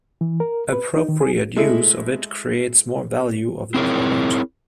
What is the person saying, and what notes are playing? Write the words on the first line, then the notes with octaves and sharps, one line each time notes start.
Appropriate use of it creates more value of the product.
E3
A#4
B4
D#4
D#3
G#4
G#3 A3 E4
C4 E4 G#4 A#4 C#5